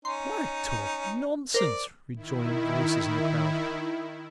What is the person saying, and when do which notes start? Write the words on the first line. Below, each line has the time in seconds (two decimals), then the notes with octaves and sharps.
"Why talk nonsense?" rejoined voices in the crowd.
0.05 C#4 D#4 C6
1.54 A#4 C5 D5
2.16 D#3 E4